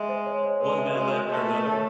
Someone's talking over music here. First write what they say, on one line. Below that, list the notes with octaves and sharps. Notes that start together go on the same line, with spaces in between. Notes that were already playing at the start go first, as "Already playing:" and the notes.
One Battle After Another?
Already playing: G#3 E5
C5
C#5
C#5
G#3 B4
E5
G#3 F#4
A#4
A3 D#5
A#4
C#5